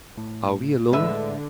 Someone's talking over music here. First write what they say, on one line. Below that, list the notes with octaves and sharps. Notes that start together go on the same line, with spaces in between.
"Are we alone?"
A2
A2 D3 G#3 B4 E5